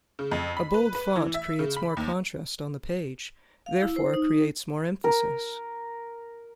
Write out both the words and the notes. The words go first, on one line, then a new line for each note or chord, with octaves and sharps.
A bold font creates more contrast on the page, therefore creates more emphasis.
C#3
F2
B5
B4
B4
E3
E5
C#3
B5
D#2
F5
E4
C5
D#4
A#4